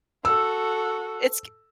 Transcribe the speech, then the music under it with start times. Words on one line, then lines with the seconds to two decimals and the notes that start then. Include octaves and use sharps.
it's g
0.25 F#4 A4 E6